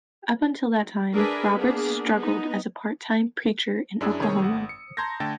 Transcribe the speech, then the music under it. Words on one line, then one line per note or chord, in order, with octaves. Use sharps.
Up until that time, Roberts struggled as a part-time preacher in Oklahoma.
D4 G#4 A#4 B4 E5 G#5
A#3 B3 D4 G#4
B3 D#4
F#2 D4 E4 G#4 E6
C3 D#3 G#4 C#5 C#6 D#6
G#1 F#5
C#7
A5 A#5 C6 G6 G#6 A#6
D3 A3 G5 A5 A6